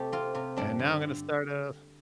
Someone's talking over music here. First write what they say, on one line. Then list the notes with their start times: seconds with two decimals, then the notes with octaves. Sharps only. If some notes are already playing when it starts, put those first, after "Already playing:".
And now I'm gonna start off
Already playing: C3 A3 G4 A4
0.12 C4 F4
0.35 C3 F4
0.57 G2 D4
0.79 D3
1.02 D3